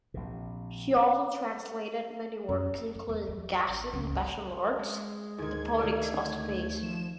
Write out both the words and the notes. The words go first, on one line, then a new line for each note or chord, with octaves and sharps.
She also translated many works, including Gaston Bachelard's "The Poetics of Space".
A#1 C3
F#2
B3
A1
E2
F3
F#2
A1
C#2
G1
G#3
D2 G#2 D#3 G#6
D#3 A3 A4 D5
F3 E7